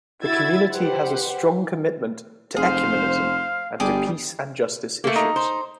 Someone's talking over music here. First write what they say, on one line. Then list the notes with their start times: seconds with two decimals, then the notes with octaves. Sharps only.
The community has a strong commitment to ecumenism and to peace and justice issues.
0.23 E4 F#4 E6 G#6 A6
0.70 G4 B4 C5 F#5
2.56 F1 G#4 C5 F5
3.80 G1 G3 G#4 G5 D6
5.04 A3 A#3
5.16 D#4
5.36 C5